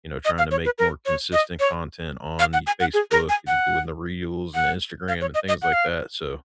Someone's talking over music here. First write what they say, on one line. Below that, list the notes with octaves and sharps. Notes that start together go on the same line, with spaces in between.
you know, trying to make more consistent content on y Facebook and doing the reels and the Instagram and things, like, that, so,
D#5
F5
C#5
B4
A#4
C#5
D#5
C#5
F5
F#5
G#5
F#5
G#4
A#4
G#5
F#5
F#5
F5
C#5
D#5
D#5
F#5
F5